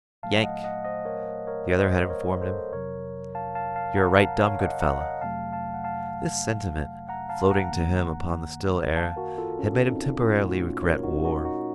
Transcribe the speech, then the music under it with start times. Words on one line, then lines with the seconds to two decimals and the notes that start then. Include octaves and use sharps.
"Yank," the other had informed him, "yer a right dum good feller." This sentiment, floating to him upon the still air, had made him temporarily regret war.
0.23 A#2 F#3 A3 F5 A5
0.43 D#5 F#5
0.64 D#5 F#5
0.84 C5 D#5
1.05 A#4 C#5
1.47 A#4 C#5
1.78 C5 D#5
2.10 A#4 C#5
2.41 A4 C5
2.72 F2 C3 F#3 A#4 C#5
3.35 F5 A5
3.55 F5 A5
3.76 F5 A5
3.97 F#5 A#5
4.17 F5 A5
4.39 C#5 F5
4.60 D#5 F#5
4.80 F#5 A#5
5.01 D#5 F#5
5.21 F2 C3 F#3 A3 F5 A5
5.52 F5 A5
5.74 F#5
5.84 F5 A5
7.09 F#5 A#5
7.29 F5 A5
7.50 F#5 A#5
7.71 F#2 D#3 A#3
8.96 F5 A5
9.16 F#4 A#4
9.38 F4 A4
9.59 C#4
9.90 C4 D#4
10.20 A#2 A3 C#4 F4
10.42 D#4 F#4
10.83 A#4 C#5
11.03 D#4 F#4
11.24 D#4 F#4
11.45 D#4 F#4